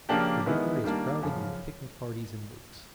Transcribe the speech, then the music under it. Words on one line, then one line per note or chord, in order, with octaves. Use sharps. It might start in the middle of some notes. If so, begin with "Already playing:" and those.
The river is crowded with picnic parties in boats.
C#3 F3 A#3 D4 G4
D#3 G#3 B3 E4
D#3 G3 A#3 D4
F#2 C#3 F3